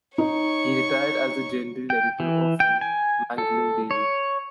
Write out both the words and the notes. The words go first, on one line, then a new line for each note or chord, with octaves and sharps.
He retired as the General Editor of the Mangalam daily.
D#4 C#5 C#6
G5
E3
G5
G#5
A4
C#5